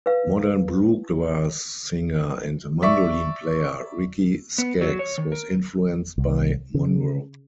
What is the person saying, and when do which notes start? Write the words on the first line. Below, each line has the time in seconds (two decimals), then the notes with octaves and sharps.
Modern bluegrass singer and mandolin player Ricky Skaggs was influenced by Monroe.
0.06 B4 F5
2.82 D5 E5 C#6
4.58 B3
4.81 F#3
4.99 C#5
5.18 D#3
5.32 A#4
6.18 C2
6.74 C#3